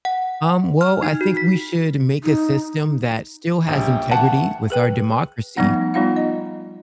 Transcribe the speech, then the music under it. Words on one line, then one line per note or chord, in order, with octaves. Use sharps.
Um, well, I think we should make a system that still has integrity with our democracy,
F#5
F6
D#4
F#4
B6
D#4
A#1 G3 A#3 C#4 G5
E3 A3 F#5 A5
G#4 B4 G5
F3 G3 A3 B3 D#4 F#5
G3 B3 D#4 F4 F5 F#5
D#5